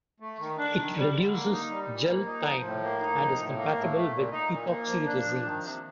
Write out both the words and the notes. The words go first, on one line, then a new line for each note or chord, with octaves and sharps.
It reduces gel time and is compatible with epoxy resins.
A3
D#3
D4
D#3
G3
D3
A#3
D#4
G3
A#2
A#3
D#4
F3
A2
A#3
D#4
F3
A2
A#3
A2
A3
A#2
D#4
A#2
A#3
F3
D4
F3
D#3
C3